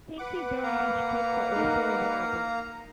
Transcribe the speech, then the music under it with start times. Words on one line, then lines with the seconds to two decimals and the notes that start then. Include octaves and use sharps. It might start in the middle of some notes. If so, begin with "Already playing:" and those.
Pinky garage kits are also available.
0.17 B4 F#5 D6
0.63 A#3 F5 A#5
1.56 D#4 A#4